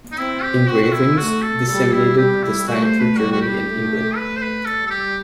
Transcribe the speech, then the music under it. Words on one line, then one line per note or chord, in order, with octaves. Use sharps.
Engravings disseminated the style through Germany and England.
D#4
C4 E4
G4
C4 F#4
F#4
E4
A3 F#4
A4
G3 A4
E4
G3 G4
E4
A3 F#4
C5
B4
G3 F#4
F#4
G4
A3
B4
C5
B4
G3 A4
A4
G4